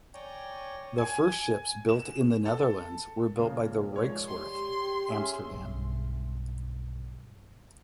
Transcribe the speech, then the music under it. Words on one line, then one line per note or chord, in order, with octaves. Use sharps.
The first ships built in the Netherlands were built by the Rijkswerf Amsterdam.
C#5 D5 G5 G#5 A#5
G#5
E7
A4
F2 A#2 C#3
D#3 F3 G#3 C#5 D5
G4 C6
C#4 G#4 E5
B1 G2